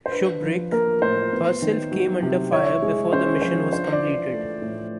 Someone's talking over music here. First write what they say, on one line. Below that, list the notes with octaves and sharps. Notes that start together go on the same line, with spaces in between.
"Shubrick" herself came under fire before the mission was completed.
C5
D4 B4
F3
A#3 A#4
A2 C5
B3
D#3
F#3
C3
E4 C#5
G#3
C#4 C5
F3 C5
D4 C5
D5
E3
A3
A2